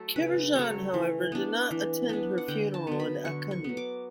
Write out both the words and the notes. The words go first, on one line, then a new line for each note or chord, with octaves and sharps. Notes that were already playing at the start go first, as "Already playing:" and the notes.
Karajan however did not attend her funeral in Aachen.
Already playing: F#3 A3 A4
C#3 B4
F#3 A3 C#5
E3
B3 D4
E3
B3 D4
F#5
D3 G5
A5
F#3 B3
B5
D3 C#6
C#6
F#3 B3
D6